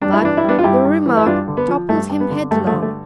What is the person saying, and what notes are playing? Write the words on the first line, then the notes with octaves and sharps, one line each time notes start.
But the remark toppled him headlong.
G2 D4
E4
E3 D4
E4
G3
B3 D4
F4
G2 E4 G4
G2
E3
E4
G2 D4 F4
D3
B3
F3
G2 A3
G2
B3
D3
G2 A3
A3
D3
A3